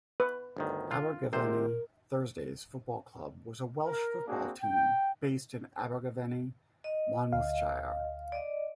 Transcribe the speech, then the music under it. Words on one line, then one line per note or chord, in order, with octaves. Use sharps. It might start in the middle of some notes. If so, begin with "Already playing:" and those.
Abergavenny Thursdays Football Club was a Welsh football team based in Abergavenny, Monmouthshire.
B4
G1 D2 D#3
F4
G#1 C3 A#4 C5
A#4
A#3 C4 D4 F#4 G#4
G5
D#5
D2 F5
D5 D#5